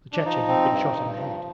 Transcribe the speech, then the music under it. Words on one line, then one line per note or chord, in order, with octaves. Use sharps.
The Chechen had been shot in the head.
D4
F3 D#4
C4
G2
G2
F3